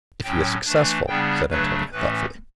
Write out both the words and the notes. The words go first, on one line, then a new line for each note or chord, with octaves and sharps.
"If he is successful!" said Antonia, thoughtfully.
A2 F#3 C#4 G5
E3 A3 D4
C#3 G3 B3 D4 G5
C#3 F#3 A3 D4 B4
A2 E3 A3 C#4 B4